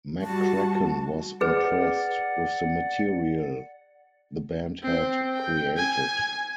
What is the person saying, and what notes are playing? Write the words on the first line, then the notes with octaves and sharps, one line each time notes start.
McCracken was impressed with the material the band had created.
G3 F#4 A5
G#4 B4 D5 F#5
C4
G5
G#5